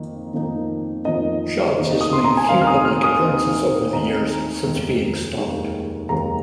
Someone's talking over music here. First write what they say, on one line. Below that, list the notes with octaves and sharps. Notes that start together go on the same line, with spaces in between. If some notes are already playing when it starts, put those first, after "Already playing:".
Chaves has made few public appearances over the years since being stalked.
Already playing: F2 D#3 A#3 D#4
F2 D#3 A#3 D#4
F2 D#3 A#3 D#4 D#5
D#2 D#3 C4 D#4
D#6
C6
A#5
G#5
D#2 D#3 C4 D#4 F5
F6
D#6
F6
D#6
D#2 D#3 C4 D#4
D#2 D#3 C4 D#4 A#5
F1 D#2 D#3 G#3
F1 D#2 D#3 G#3
F1 D#2 D#3 G#3 A#5